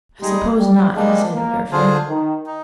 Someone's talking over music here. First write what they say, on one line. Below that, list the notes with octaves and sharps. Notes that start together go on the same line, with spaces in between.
"I suppose not," he said regretfully.
G3 G#3 D#4 G#4 D#5
G3
G3 G#3 A#3 D4
A#3
D3 D4 F4 G#4 C5
D#3
D#4